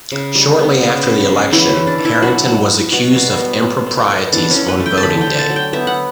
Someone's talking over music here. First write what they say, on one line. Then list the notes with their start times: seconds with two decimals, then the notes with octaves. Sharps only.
Shortly after the election, Harrington was accused of improprieties on voting day.
0.12 C#3
0.35 G3
0.59 B3
0.82 C#3
1.06 C#3
1.29 F#3
1.52 E3 E4
1.69 C#4
1.76 E3
1.87 D4
1.99 E3
2.05 E4
2.22 F#3 F#4
2.46 F#3
2.69 F#3
2.92 B2 F#4
3.16 G3
3.40 B3
3.63 F#3
3.86 A3
4.09 B2
4.33 E3 D4
4.51 C#4
4.56 E3
4.68 B4
4.80 A3
4.86 G5
4.97 A5
5.03 D3 B5
5.21 G5
5.27 D3
5.39 A5
5.50 F#3
5.56 G5
5.73 B3 E5
5.87 F#5